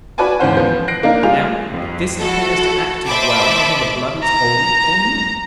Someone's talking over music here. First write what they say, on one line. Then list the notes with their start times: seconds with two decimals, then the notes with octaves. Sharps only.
Now, this appears to act as well whether the blood is old or new.
0.18 F#4 B4 D5 G#5 A5
0.40 D#2 G#2 E3 C#4 C5 F#5
0.57 F3 B3
0.88 F#6 A#6 C7 D7
1.03 A#3 D4 D#4 A#4
1.23 G3 F4 G#4 F7
1.71 F2
2.19 E4 F#4 A4
3.05 C5 D#5 E5 A5 B5 D6
4.24 A#5